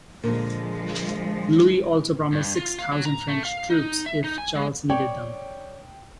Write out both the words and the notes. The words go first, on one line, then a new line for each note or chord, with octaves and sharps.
Louis also promised six thousand French troops if Charles needed them.
A#2 D3 F3 G#3 A#4
G2
F4
F5
F#3
A#5
A3
F5
D#4
E5
D#4
G#5
G#3
C#5 D5 G5